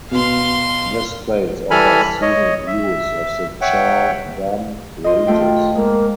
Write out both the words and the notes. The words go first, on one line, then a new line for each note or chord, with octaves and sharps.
This place offers scenic views of the Char Dham ranges.
B2 B3 F5 C6
E3 G3 A4 G#5 B5 F6
C#5 D#5
E5
C#5 E5 F#5 G5
F4 D#5 C6
A3 F4 C5 G5
G#3 A#3